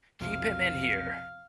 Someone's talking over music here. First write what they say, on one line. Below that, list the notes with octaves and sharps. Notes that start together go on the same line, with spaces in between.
Keep him in here!
B1 F2 C3 F5